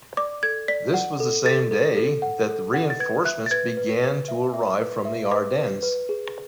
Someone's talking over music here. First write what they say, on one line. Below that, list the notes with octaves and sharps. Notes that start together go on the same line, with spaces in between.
This was the same day that the reinforcements began to arrive from the Ardennes.
D5 D6
A4 G#6
D5 B6
F#5
A4
A4 A6
A4
A4
F#5
A4
F#5
A6
B4 G#6
E5 F#6
A6
B4 G#6
B4
B4
E5
E5
B4
E5
B4 D6
B4
B4
G#4